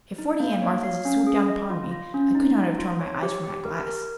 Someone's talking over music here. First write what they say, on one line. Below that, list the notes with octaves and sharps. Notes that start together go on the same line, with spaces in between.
If forty Aunt Marthas had swooped down upon me, I could not have torn my eyes from that glass.
D#4
A#3
C#5
F5
C#4
G#4
D#5
F4
F4
C#4
D#4
D#4
F4
C#5
G4
G4
A#4
A#4